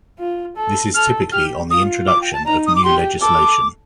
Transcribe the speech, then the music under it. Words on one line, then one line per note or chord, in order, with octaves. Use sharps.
This is typically on the introduction of new legislation.
F4
A4
A4 F6
G4 F6
F4 D#6
D6
G5
A5
D#4 A#5
D#6
D6
G4 C6
A4 D6